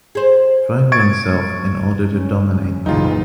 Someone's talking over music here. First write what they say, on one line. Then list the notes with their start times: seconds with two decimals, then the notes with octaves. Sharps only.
Find oneself in order to dominate them.
0.15 G#4 C5
0.92 C#6 G#6 A6 D7
2.10 F#1 C#4
2.86 F#1 B1 A#2 C#3 E3 D#4 F4